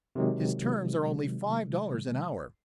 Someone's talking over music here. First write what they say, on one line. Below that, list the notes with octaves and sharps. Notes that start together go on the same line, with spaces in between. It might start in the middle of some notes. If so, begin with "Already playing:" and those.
His terms are only five dollars an hour.
C3 D#3 F#3 G#3